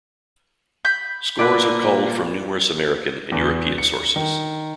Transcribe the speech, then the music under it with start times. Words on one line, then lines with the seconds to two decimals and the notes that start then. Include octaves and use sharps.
Scores are culled from numerous American and European sources.
0.85 B5 G6
1.39 A#2 D3 B4 D5
3.32 E2
3.78 C#7
4.16 D#3